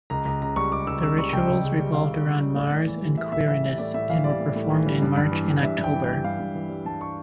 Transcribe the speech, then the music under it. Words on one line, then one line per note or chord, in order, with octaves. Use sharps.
The rituals revolved around Mars and Quirinus, and were performed in March and October.
C#2 A#5
C#2 A#5
C#3 A#5
G3 C#6
C#2 D6
C#2 E6
C#3 E6
G3 C#6
C#2 G5
C#2
C#3
G3
C#2 F5
C#2
C#3
G3
A2 D5
A2
E3
G3
A2 E5
A2 E5
E3 E5
G3 E5
A2 D5
A2 E5
E3 F5
G3 D5
A2
A2
E3
G3
G2
G2
E3
G3
G2 E5
G2
G5
E3
G3 G5
G2 F5
G2
E3
G3
G2 A5
C#6